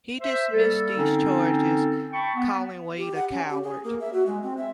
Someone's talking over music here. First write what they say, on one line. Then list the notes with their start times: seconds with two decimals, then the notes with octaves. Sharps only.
He dismissed these charges, calling Wade a coward.
0.21 C5 E5
0.51 G3 A#3 A4
0.96 D3 C4 C#4 D#4 A4
2.11 G5 A5 B5 C#6
2.35 B3
2.98 G4
3.15 F#5
3.31 C#4
3.49 G4
3.63 G#4
3.84 A#3
4.00 E5
4.13 F#4
4.26 G#3
4.42 C4
4.57 E5